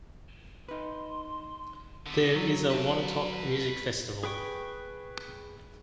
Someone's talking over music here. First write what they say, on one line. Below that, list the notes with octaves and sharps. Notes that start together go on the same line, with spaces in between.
There is a Wantok Music Festival.
D#4 B4 C6
D3 B3
F#3
B4 A5
G#4 B4 G5 C#6